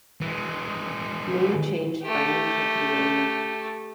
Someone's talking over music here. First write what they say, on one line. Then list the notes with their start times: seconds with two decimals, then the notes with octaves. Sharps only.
Name changed by new company owner.
0.21 E3 G#3
2.04 A3 G4